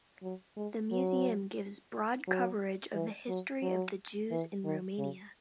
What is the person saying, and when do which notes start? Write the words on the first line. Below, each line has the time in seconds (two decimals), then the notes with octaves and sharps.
The museum gives broad coverage of the history of the Jews in Romania.
0.23 F#3
0.57 G#3
0.92 F#3
2.27 F#3
2.94 E3
3.29 F#3
3.62 F#3
4.31 E3
4.65 D#3
4.98 C#3